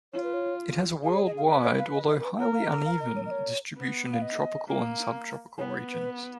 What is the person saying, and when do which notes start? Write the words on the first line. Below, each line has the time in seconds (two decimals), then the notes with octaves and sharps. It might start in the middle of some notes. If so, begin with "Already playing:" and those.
It has a worldwide, although highly uneven, distribution in tropical and subtropical regions.
0.13 F4 C#5
0.23 B4
0.33 C#5
1.03 G#4 F5
1.15 C#5
1.26 D#5
1.38 F5
1.48 B4 D#5
1.64 C#5
1.79 F5
1.95 D#5
2.10 D#5
2.19 A#4
2.24 B4
2.40 A#4 C#5
2.54 F5
2.62 D#5
2.85 F5
3.00 D#5
3.16 C#5
3.26 D#5
3.31 C#5
3.77 B3
4.13 F5
4.22 D#5
4.67 A#3
5.58 B3 C#5
5.69 C#5
5.92 B4